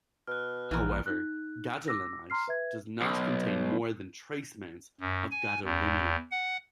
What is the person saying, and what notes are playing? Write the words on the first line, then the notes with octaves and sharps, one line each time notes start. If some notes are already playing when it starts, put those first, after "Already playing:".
However, gadolinite does not contain more than trace amounts of gadolinium.
B2 F6 F#6
A#1 E3 A#4
D#4 F#6
D6 E6 A#6
A#5 C6 F6 C7
B4 E5 G#6
B1
F#2
G#5
E2
F#5